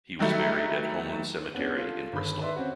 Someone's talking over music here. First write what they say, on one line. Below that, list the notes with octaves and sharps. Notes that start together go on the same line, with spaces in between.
He was buried at Homeland Cemetery in Bristol.
D#3 F#3 G3 A3
B3 C#4 D4
F4 A4
G1 D#3 B5
B4 D5 E5 C6
C4 C#4 F#4